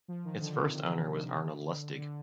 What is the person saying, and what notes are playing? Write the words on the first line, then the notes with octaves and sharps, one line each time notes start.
Its first owner was Arnold Lustig.
F3
D#3
D3
C3
D3
D3